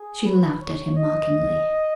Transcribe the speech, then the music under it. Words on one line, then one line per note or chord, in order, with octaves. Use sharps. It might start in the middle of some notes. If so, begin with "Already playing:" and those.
She laughed at him mockingly.
Already playing: G#4
B4
C#5
D#5